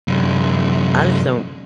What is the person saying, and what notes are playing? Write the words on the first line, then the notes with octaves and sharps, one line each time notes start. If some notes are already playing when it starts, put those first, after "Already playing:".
I just don't
F#2 C3